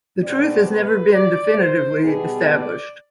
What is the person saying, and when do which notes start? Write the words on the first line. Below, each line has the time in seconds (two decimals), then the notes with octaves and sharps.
The truth has never been definitively established.
0.22 B2 G#3 C4 D5
0.67 B4
1.12 D5
1.58 C5
2.02 B2 G3 B3 G#4
2.48 D5